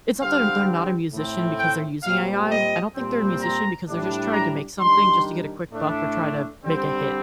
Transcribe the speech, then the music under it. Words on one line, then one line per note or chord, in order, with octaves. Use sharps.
it's not that they're they're not a musician because they're using AI, I don't think they're a musician because they're just trying to make something just to get a quick buck or try to make a hit,
D3 G3 C4 F5
A2 A3 C4
G5
A#2 G3 C4 F5
D#5
A#2 G3 C4
A#5
A2 G3 D4
A#5
D#3 G3 D4 C6
A2 A3 D4
D3 G3 C4